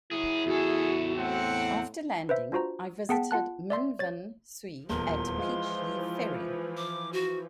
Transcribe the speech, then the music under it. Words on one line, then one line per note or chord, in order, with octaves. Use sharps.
After landing, I visited Min Vin-sui at Peach Leave Ferry.
F#3 E4 G#4
E2 F#4 G#4 A4
A2 C4 F#5
B4 C5 E5
D4 F4 F#4 C5 A#5
B3 G#4 F#5 G5 A5 B6
F4 F#5 A5 F#6
D5 E5 C6
C#5 A6
D#1 E2 E3 F3 A#4 C6
G#3 F4
D6
F#4